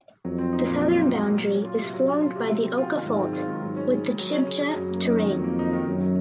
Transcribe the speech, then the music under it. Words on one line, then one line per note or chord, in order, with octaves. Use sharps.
The southern boundary is formed by the Oca Fault with the Chibcha Terrane.
F2 F#3
C4
D#4
A#2
F#3
C4
D#4
A#2
F#3
C#4
F4
C3
F#3
C#4
F4
C3
F#3
C4
F4
D#3
G#2 F#3
C4
F4
D#3
G#2 F#3
C#4
C#3
C#3
F#3
C#4
C#3
C#3
F#2 F#3
A#3
D#4
D#3
F2 F#3
A#3
D#4
D#3
F#2 D#3
F#3